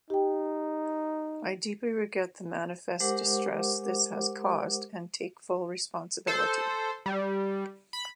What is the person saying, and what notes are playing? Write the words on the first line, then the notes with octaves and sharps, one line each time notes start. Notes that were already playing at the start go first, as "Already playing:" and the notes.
I deeply regret the manifest distress this has caused and take full responsibility.
D#4 G4 G5
G#3 G4 A#4 C5 F#5 D6
A4 C5
G3
B5